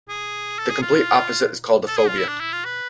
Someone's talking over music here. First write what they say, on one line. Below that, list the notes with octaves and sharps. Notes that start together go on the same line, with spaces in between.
The complete opposite is called a phobia.
G#4
A4
G#4
F4
A4
G#4
F4
E4
D4
E4
F4
B4